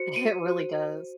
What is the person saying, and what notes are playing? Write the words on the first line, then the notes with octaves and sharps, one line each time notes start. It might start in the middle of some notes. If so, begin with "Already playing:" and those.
It really does.
Already playing: F#4 C5 C#7
D#7
F#4 C5